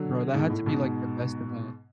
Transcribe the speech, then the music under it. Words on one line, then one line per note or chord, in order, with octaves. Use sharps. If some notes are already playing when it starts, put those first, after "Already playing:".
Bro, that had to be, like, the best event.
Already playing: D3 F#3
G#2 B2
A2
G#2 B2